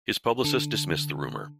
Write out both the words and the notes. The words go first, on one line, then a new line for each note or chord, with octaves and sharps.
His publicist dismissed the rumor.
D3